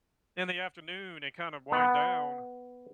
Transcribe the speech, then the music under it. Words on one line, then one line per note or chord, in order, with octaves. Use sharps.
in the afternoon and kind of wind down
B3